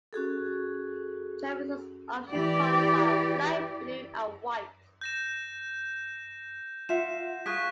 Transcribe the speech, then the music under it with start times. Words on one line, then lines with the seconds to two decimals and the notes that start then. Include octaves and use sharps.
Treviso's official colours are light blue and white.
0.13 C#4 F#4 G#4 A4
2.30 E3 G4 D5
5.01 G6 A#6 E7
6.89 F4 E5 F#5 E7
7.46 G#4 F5 C#6 F#6 B6